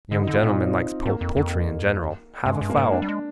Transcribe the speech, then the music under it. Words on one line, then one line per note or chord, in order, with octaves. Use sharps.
Young gentlemen likes poultry in general: have a fowl!'
D3 D#4
D#4
D3
F4
A#2 D#4
C4
G#2 A#3
F2
F2
G2 G#3
G2
A#3
G#2
D4
G3
G#3